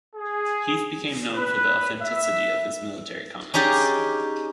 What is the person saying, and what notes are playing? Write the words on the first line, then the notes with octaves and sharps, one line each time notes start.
Heath became known for the authenticity of his military comics.
G#4
B4
E5
C#4 D#4 G4 G#4 D5